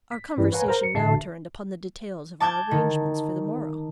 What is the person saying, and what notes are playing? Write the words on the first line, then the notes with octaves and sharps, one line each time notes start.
Our conversation now turned upon the details of our arrangements for the morrow.
B6
G2 E3 G3 C#4
B4 C#5 F5 F#5 G#5 A#5
A#4 C5 A#5
C#7
A1 D3 F#4 E5 A5 C7
A5 D6 G6 G#6
D#3